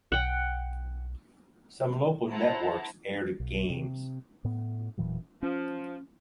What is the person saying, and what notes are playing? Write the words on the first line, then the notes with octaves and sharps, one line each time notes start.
Some local networks aired games.
B1 F#5 G5
E4 C5 F#5 A5 A#5
B1
C3
A2 B3
E1 A#2 E3 F#3
F3 C#4